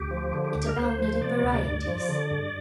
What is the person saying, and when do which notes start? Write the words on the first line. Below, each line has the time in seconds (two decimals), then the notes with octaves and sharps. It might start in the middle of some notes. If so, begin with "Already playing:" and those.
It abounded in varieties.
Already playing: D2 G4
0.11 F3
0.33 D3
0.44 G4
0.55 D2 G4
0.67 A#4
0.77 D2 C5
0.99 F3
1.16 C5
1.20 C3 D5
1.43 D2
1.65 G2
1.87 F3
2.09 D3
2.31 G2